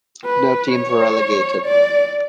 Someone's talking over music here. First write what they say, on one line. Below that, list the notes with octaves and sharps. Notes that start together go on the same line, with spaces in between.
No teams were relegated.
B4
C#5
D5